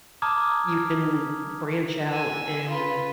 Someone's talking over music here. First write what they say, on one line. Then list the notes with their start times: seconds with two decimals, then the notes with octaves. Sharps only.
you can branch out and,
0.22 A5 A#5 D6 D#6 F6 G#6
2.10 G#5 E6
2.69 F4 B4